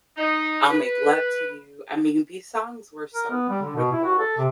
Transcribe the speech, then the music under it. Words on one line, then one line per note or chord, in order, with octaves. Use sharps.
I'll Make Love To You. I mean, these songs were so beautiful,
D#4
B4
A#4
B3
G3
D3
B2
E4
F#4
A4
C3